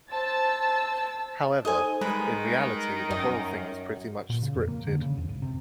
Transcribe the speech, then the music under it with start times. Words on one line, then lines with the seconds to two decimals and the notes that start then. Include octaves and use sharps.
However, in reality the whole thing is pretty much scripted.
0.10 C5 A5 E6 A6
1.65 D#4 A4 C5 D#5 G#5
2.01 D#3 G3 G#3 B4 B5
3.11 F#2 D#5
4.30 A#2
4.42 C#3
4.55 F2
4.68 A#3
4.87 D3
5.02 C#3
5.17 E2
5.29 G#1
5.42 C3